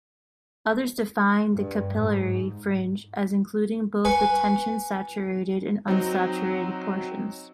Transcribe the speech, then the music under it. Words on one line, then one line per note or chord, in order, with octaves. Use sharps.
Others define the capillary fringe as including both the tension-saturated and unsaturated portions.
G2
G#2
B4 G#5 B5 C#6
F#3 C4 D#4